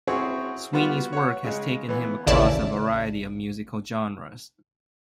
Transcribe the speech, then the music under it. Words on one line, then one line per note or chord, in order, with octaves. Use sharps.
Sweeney's work has taken him across a variety of musical genres.
C4 C#4 E4 F#4 G#4 C#5
G3 B3 F4 F#4
C#5 F#5
C#3 G#3
E3 B3
A1 D#2 C#3 E4 D5 A5